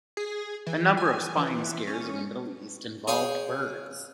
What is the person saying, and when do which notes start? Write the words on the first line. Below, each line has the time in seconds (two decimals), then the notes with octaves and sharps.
A number of spying scares in the Middle East involved birds.
0.17 G#4
0.67 E3
0.97 G#5
1.37 E3
1.87 C#4
3.07 G#4 C#5 F5 G5